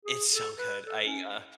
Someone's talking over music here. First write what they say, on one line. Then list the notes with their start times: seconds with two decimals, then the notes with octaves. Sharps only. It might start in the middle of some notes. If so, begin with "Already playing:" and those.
it's so good. I, uh
0.05 G#4
0.32 A4
0.58 B4
0.86 A4
1.06 C#4